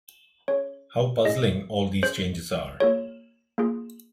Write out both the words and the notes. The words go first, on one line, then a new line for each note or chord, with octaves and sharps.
How puzzling all these changes are!
C#4 G#4 C#5
C#4 G#4 D#5
C#4 G#4 C5
A#3 F4 G#4 C#5
A#3 F4 G#4